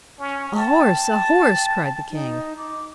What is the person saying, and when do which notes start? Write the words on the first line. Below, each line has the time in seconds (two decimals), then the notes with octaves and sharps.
'A horse! a horse!' cried the king.
0.19 C#4
0.56 G5 A5
2.11 D#4
2.57 D6